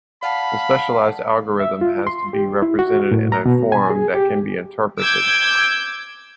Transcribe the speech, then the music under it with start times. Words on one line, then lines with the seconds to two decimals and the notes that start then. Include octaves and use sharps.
The specialized algorithm has to be represented in a form that can be interpreted.
0.23 D5 F5 F#5 A5 B5
1.60 E5
1.81 F4
2.07 C6
2.33 G4
2.62 E4
2.79 F#4
3.11 A2
3.32 A#5
3.46 B2
3.72 G#5
3.90 G#4
4.14 G4
4.99 D6 E6 G6 G#6